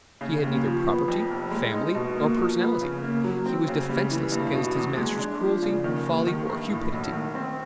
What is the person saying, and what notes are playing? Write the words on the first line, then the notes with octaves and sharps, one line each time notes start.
He had neither property, family, nor personality; he was defenceless against his master's cruelty, folly, or cupidity.
C#3
D#2
F3
B3
F2
F1
G#3
D#4
B2
A#3
F3
B3
C#3
A#3
F#3
C4
C#3
G3
E3
G2
B2
E2
G#3
D4
F3
C#3
D#3
D#2
D#3
G2
A2
B1
D#3
C4